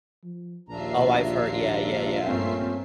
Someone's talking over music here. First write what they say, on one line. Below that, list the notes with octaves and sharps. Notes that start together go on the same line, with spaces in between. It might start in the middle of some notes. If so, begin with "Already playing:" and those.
Oh, I've hear yeah, yeah, yeah.
F3
A#1 D#2 D4 F4 E5 A#5 C7
G2 A3 A#3 C4 C#4